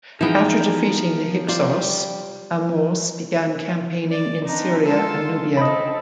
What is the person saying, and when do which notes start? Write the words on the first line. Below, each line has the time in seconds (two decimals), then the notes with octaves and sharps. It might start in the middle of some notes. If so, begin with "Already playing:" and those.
After defeating the Hyksos, Ahmose began campaigning in Syria and Nubia.
0.21 E3 F3 B3 D#4 G#4 G5
1.48 G3 F4 C5 D5
4.10 D5
4.45 C4 D4 D#4
4.86 G#3 F4 A4
5.57 C4 A4 D#5 B5